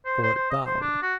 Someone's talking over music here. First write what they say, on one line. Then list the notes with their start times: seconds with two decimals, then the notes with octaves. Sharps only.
Fort bowed.
0.05 C5
0.23 C5
0.35 C5
0.50 D#5
0.66 C5
0.81 D4
1.02 F#4